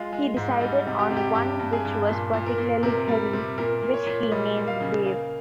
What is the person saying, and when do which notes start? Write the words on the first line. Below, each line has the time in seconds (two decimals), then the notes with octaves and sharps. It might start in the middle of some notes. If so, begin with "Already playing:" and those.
He decided on one which was particularly heavy, which he named Dave.
Already playing: G#3 F4
0.13 G#3
0.37 G#2
0.61 G3 D#4
0.87 C3
0.99 G4
1.11 C3
1.17 G4
1.35 G2 G4
1.59 G2
1.73 G#4
1.85 G2
2.09 A#2
2.33 A#2
2.46 A#4
2.58 A#2
2.83 C3 A#4
3.08 G3
3.33 C3
3.58 A#2 A#4
3.82 A#2
3.94 C#5
4.07 A#2
4.31 G3 D#5
4.56 A#3
4.68 F5
4.81 C#3
5.05 A#3 F5